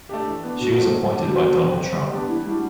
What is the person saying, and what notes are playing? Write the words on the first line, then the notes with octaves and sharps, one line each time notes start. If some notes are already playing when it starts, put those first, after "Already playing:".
She was appointed by Donald Trump.
A3 D4 G4
E3
B3 D4
B2 F#4
F#3 A3 C4
F#3
A3 D4 G4
G3 F#4
B3 D4
C3
F#3 C4
G3
B3 D4 G4
E3 E4
G3 D4 F#4